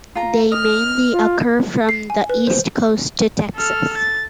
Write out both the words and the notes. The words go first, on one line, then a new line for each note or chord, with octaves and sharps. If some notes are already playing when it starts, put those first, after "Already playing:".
They mainly occur from the east coast to Texas.
F4 A#5
D#5 F6
F4
C7
G#5
B4
C5
A4 F6
A6